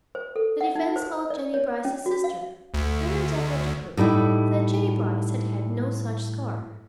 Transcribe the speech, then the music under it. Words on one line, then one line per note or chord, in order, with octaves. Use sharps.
The defense called Jennie Brice's sister, and endeavored to prove that Jennie Brice had had no such scar.
C5
A4
F#5
D#4
C5
D5
C#5
C#4
F#4
F5
D2
A2 G3 D#4 E4